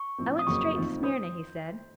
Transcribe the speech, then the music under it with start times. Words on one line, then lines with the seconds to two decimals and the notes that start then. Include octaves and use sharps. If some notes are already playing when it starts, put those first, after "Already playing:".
'I went straight to Smyrna,' he said.
Already playing: C#6
0.18 A2 F3 C4
0.39 D#6
0.47 F2 C#3 F#3 A#3 C#6
0.75 F2 D#3 A3 C4 F4
1.03 C5 D#6